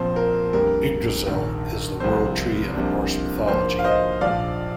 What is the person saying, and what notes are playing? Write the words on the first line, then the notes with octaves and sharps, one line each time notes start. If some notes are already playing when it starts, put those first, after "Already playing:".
Yggdrasil is the World Tree of Norse mythology.
Already playing: A#1 A#2 F3 C4 C5
A#4
F2 D3 G3 A#3 D4 A#4
A#1 G#2 D#3
C2 C3 F3 C4 C5
C2 C3 F3 A#3 D4
G#2 F3 A#3 D4 C5
F5
C5 D#5
A#1 G#2 F3 D5 F5